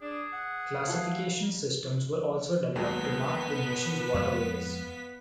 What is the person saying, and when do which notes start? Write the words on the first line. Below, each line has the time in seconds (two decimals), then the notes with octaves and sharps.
Classification systems were also developed to mark the nation's waterways.
0.01 D4 G#4
0.33 F#5
0.88 E4 F#4 A4 F5
2.76 D#2 F#3 G#3 B3 B6
4.14 F2 G#3 F5